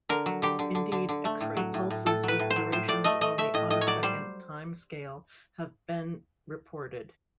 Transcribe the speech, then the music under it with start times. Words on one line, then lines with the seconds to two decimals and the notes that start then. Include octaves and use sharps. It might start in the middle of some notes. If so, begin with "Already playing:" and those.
Indeed, x-ray pulses with durations on the attosecond time scale have been reported.
0.09 D3 A#4
0.26 F#3
0.42 D3 G4
0.59 D3
0.75 D3
0.92 D3
1.09 D3
1.25 A3
1.41 A2
1.57 F#3
1.74 A2
1.90 A2
2.06 A2 A4
2.23 F#3 B4
2.39 A2
2.50 C5
2.56 F#3
2.72 A2 C5
2.88 A2 D5
3.04 A3 D#5
3.21 A3 D#5
3.38 A3 E5
3.54 A2 D#5
3.70 A2 D#5
3.81 C#5
3.87 F#3 D5
4.03 G3 C5